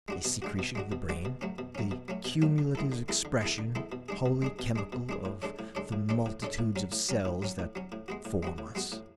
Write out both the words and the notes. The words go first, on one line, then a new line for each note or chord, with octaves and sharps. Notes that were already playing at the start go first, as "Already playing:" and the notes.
A secretion of the brain? The cumulative expression, wholly chemical, of the multitudes of cells that form us?
G#3 D4 F#4
B2
G#3 D4 F#4
B2
G#3 D4 F#4
B2
G#3 D4 F#4
B2
F#3 A3 C#4
B2
F#3 A3 C#4
B2
F#3 A3 C#4
B2
F#3 A3 C#4
D3
G#3 B3 E4 A4
D3
G#3 B3 E4 A4
D3
G#3 B3 E4 A4
D3
G#3 B3 E4 A4
B2
G#3 D4 G#4
B2
G#3 D4 G#4
B2
G#3 D4 G#4
B2
G#3 D4 G#4
A2
G#3 D4 A4 C#5
A2
G#3 D4 A4 C#5
A2
G#3 D4 A4 C#5
A2
G#3 D4 A4 C#5
A2
F#3 C#4
A2
F#3 C#4
A2
F#3 C#4
A2
F#3 C#4
A2
G#3 B3 F#4
A2
G#3 B3 F#4
A2
G#3 B3 F#4
A2